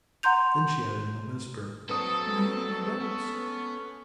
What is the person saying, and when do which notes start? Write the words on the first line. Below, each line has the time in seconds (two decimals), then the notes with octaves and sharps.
Then she added in a whisper: "But I have my doubts."
0.23 F#5 A#5 C6 G6 F7
1.89 F#3 C4 D4 A4 B4 D#6
2.99 B3 C#4